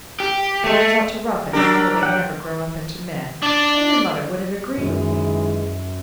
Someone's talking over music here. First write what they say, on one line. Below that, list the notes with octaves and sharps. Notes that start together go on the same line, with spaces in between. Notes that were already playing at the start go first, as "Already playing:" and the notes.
Boys ought to rough it, or they never grow up into men, and your mother would have agreed with me.
G4
A3
F#3 D4 G4 A#4
F#5 G5
D4 D5
F#2 D#3 E3 G#3